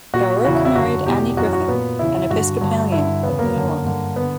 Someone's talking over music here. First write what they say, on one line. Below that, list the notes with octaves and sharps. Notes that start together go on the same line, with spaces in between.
Baruch married Annie Griffin, an Episcopalian, of New York.
A#2 F#4
E2 C#3 E3 F#4
E4
E4
F#2 D3 F#4
E2 B2 G4
F#2 E3 F#4
F#4
A#2 B3
E2 C#3 E3 E4
G2 D3 F#4
G2 D3
G2 D3 E4
E2 C#3 E3 B3
A#3
F#2 D3
G2 D3
D3 B3